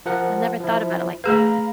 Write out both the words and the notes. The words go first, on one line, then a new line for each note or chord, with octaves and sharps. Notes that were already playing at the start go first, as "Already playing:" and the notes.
I never thought about it like that.
F3 A#4 F#5
F3 E4
A3 G#4 B4 F5 A#5 B5